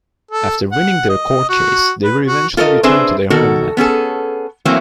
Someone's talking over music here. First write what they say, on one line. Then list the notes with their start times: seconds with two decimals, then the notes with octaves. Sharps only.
After winning their court case, they were eventually returned to their homeland.
0.31 A4
0.72 F#5
1.09 D#5
1.49 F#4
2.04 B4
2.27 F#4
2.57 F4 A4 A#4 D5 D#5
2.83 C4 D4 G#4 B4 C5 E5
3.30 B2 D#3 F#4 A4 A#4
3.77 B3 C#4 G#4 A4
4.65 E3 F#3 A3 A#3 C4